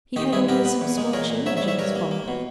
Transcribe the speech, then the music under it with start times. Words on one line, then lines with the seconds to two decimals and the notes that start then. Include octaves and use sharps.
He had only some small change in his fob.
0.16 D#3 D#4 G4
0.33 G2 E4 G#4
0.48 B3 G4 A#4
0.65 B3
0.81 E2
0.97 G#3
1.13 A#2 A#4 C#5
1.30 A#2
1.46 G#2 C#5 E5
1.57 C#5 E5
1.62 G3
1.68 C#5 E5
1.79 G2 A#4 C#5
1.96 A#3
2.11 A#3
2.28 B2